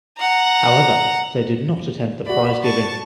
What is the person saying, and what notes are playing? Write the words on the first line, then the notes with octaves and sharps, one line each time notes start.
However, they did not attend the prize giving.
F#5 A#5
F#4 D5 B5
A5 C#6